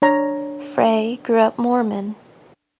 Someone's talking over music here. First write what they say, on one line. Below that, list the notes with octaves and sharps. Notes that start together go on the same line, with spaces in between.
Frey grew up Mormon.
D4 C#5 A#5